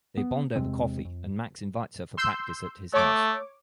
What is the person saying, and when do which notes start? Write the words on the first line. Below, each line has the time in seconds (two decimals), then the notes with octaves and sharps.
They bond over coffee and Max invites her for practice at his house.
0.17 B3
0.55 E2 C3 G#3 C4
1.05 F2
2.17 C6 E6 G6
2.94 A3 C#5 D6